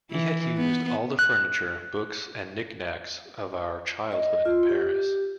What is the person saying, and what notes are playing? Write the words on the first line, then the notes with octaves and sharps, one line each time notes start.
He had used all the furniture, books and knick-knacks of our childhood in Paris.
E3
B3
F#6
D#5
F4
G4